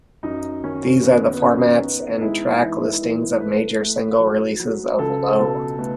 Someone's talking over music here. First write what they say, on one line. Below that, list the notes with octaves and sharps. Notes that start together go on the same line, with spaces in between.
These are the formats and track listings of major single-releases of "Low".
F#2 D#4
D#3 C#4
D#3 B3
B3
D#3 C#4
B3 D#4
D#4
G#3 E4
E3 E4
E3
A3 B4
A3
F#3
F#3
C#2 A4
B2 A4
A3 B3